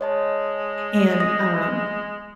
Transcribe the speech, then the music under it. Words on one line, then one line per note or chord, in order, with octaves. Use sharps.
and, um,
G#3 C#5 D#5 A5
D#5 D#6 A#6